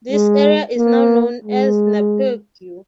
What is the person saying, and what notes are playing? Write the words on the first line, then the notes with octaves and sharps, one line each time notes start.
This area is now known as Napeague.
G#3
A#3
G#3